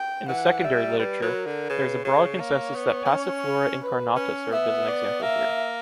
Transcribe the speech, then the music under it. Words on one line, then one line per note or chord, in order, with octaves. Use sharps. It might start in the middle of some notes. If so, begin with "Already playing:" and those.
In the secondary literature, there is a broad consensus that "Passiflora incarnata" served as an example here.
Already playing: G5
E3 F#5
G3 E5
G3 B4
F#3
A#4
D3
C#3 B4
C#3 C#5
A#3
B3
B3
C#4
B4
C#4
B3 E5
D5
A#3 E5